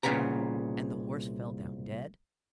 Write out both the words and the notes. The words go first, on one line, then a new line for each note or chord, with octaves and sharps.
And the horse fell down dead.
C2 A#2 C#3 B3 A#5